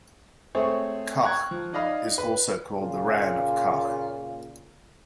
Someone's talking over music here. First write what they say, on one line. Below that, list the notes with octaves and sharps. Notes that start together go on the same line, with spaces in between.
Kachh is also called Rann of Kachh.
A3 C4 G#4 C5 C#5
G5 A#5 C#6 F#6 G#6
F3
D#4 D5 D#5 F5 B5
B4
A#2 C#3 A#3 F4